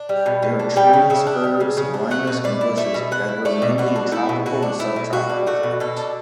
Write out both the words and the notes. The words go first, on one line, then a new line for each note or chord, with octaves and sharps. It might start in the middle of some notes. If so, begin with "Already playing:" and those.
They are trees, herbs, lianas and bushes that grow mainly in tropical and subtropical climates.
Already playing: D4
G3
B2
B2
D4
G3 G5
C#3
C#3 E5
D4
G3
C#3
C#3
D4
A3 F#5
B2
B2 D5
E4
A3 E5
B2
B2 F#5
E4
A3 D5
B2
B2 F#4
D4
A3 E4
B2
B2 F#4
D4
A3 E4
B2
B2 F#4
D4
A3 F#4
B2
B2 A4
D4